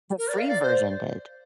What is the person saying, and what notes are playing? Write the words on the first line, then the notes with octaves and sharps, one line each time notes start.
The free version did,
A#4
D5
F5
D5
C5